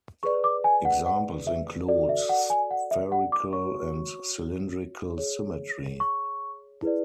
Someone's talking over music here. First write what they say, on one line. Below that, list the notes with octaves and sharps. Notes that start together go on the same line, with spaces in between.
Examples include spherical and cylindrical symmetry.
G#4 B4 D5 C#6
D6
G#5
F#5
F#5
E5
F#4 A4 D5
E5
F#5
G#5
F#5
E5
F#5
D6
F#4 C#5 C#6
G#4 C#5
C#6
E4 G#4 B4 D5